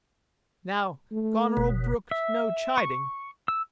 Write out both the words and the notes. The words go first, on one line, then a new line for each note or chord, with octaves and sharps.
Now Goneril brooked no chiding.
A3
F#1 B2
E5
C#6
E6